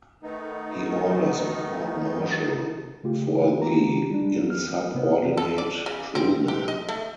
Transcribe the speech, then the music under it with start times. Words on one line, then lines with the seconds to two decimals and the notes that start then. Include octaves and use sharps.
He orders a court-martial for the insubordinate crewman!
0.22 D#3 A3 B3 D#4
3.03 C#3 A3 F4 G4
3.62 F4 G4 A#5
4.11 G3 D4
4.49 B3 F6
4.94 C3 B3 E4
5.37 A4
5.58 D5
5.86 C#3
6.15 C4
6.48 G4
6.68 D#5
6.89 A3